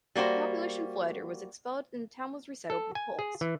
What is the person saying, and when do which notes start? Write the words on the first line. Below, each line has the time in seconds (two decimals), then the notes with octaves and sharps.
The population fled or was expelled and the town was resettled with Poles.
0.15 G3 A#3 F#4 C5
2.70 A4
2.95 G#5
3.19 G#4
3.41 E3